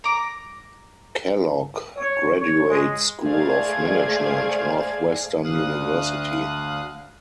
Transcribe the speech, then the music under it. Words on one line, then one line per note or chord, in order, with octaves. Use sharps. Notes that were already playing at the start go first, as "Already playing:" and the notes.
Kellogg Graduate School of Management, Northwestern University.
A#5 D6
C#5
C#5
G#3
A3 G#4 C5 D5 F5 G#6
D2 D3 F5 D#6 F#6